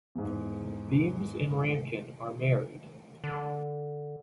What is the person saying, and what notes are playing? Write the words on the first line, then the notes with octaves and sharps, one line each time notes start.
Vimes and Ramkin are married.
E2 G#2
D3